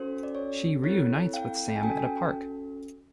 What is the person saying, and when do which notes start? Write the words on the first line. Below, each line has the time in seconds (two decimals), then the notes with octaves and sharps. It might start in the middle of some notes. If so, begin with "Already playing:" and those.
She reunites with Sam at a park.
Already playing: C#4 F#4 A4 C5
0.23 D5
0.35 C#5
0.84 C4 E4 A4 C#5
1.33 F5 G5
1.68 G5
1.76 G#5
1.83 C#4 F#4 A4 G5 A5